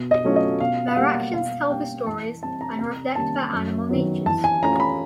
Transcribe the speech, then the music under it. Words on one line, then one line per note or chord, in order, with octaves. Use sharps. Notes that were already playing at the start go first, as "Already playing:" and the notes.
Their actions tell the stories, and reflect their animal natures.
Already playing: B2
D#5
F#3 A3 C#4 F4
D#5
B2 F5
F5
G3 A#3 F#5
B2 F5
G3 A#3 C#4 G5
E3 A5
G3 C4 A5
A#5
C3 A#5
D#3 G3 A#3 C#4 A5
F#2
D#3 F#3 B3
E3 A5
G#5
A3 C#4 F4 A#5
B5